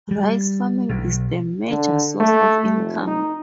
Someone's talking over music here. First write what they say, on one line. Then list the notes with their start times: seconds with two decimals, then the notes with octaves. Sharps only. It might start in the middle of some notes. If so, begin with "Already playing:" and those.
Rice farming is the major source of income.
0.11 G3
0.89 B1
1.70 D3
2.20 A3
2.75 F1
3.07 D#4